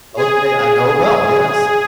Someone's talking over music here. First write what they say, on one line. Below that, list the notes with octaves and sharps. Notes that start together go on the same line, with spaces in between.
Okay. I know it well, yes.
G#4